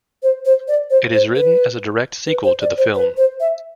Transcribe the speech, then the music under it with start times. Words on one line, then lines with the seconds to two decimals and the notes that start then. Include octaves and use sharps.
It is written as a direct sequel to the film.
0.23 C5
0.45 C5
0.68 D5
0.90 C5
1.14 C5
1.36 B4
2.27 B4
2.44 C5
2.61 D5
2.78 C5
2.94 B4
3.17 C5
3.40 E5